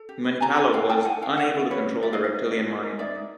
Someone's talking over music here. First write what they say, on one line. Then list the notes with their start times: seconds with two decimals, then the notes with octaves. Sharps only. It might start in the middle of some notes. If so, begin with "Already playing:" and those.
Mentallo was unable to control the reptillian mind.
Already playing: A4
0.09 G4
0.24 B4
0.40 D4 G#5 A#5
0.57 D4 F#5 G#5
0.73 G4 F5 G5
0.89 A#4 G5 A5
1.05 E4 F#5 G#5
1.21 E4 F5 G5
1.37 E4 E5 F#5
1.53 A4
1.59 D5
1.70 C#4 B4 C#5
1.87 C#4
2.02 G4 D5 E5
2.13 D#5 F5
2.19 B4
2.24 D#5 F5
2.35 D#4
2.51 D#4
2.68 F#4
2.83 A#4
2.99 D#4 D5 E5
3.15 D#4